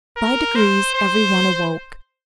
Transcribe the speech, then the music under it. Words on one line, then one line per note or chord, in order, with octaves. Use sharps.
By degrees every one awoke.
A#4
C5
C5